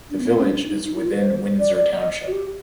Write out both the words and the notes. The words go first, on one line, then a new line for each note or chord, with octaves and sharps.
The village is within Winsor Township.
D4
B3
C4
C#4
D4
D#4
D#4
E4
F4
B4
C5
D5
D5
D#5
F#4
G4